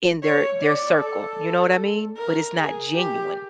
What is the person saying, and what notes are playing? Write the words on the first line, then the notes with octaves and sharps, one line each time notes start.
in their their circle, you know what I mean? But it's not genuine.
C#5
D5
A4
A#4
G#4
G4